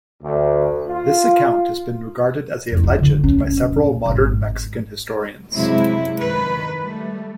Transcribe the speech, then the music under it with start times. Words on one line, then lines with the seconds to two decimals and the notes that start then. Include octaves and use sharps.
This account has been regarded as a legend by several modern Mexican historians.
0.22 D2
0.87 F4
2.72 F2
2.83 F4
2.99 D3
3.24 C#4
3.40 F#2
3.72 A#2
4.06 G#1
5.50 F#2 C3 F#3 G#3 E4
6.20 D#3 B4
6.81 G3 A3